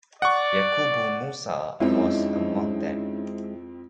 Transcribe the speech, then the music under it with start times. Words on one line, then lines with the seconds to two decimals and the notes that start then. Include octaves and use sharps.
Yakubu Musa was among them.
0.22 D5 F#5 C#6
1.80 F2 G#3 C4 C#4 D#4 E4 E5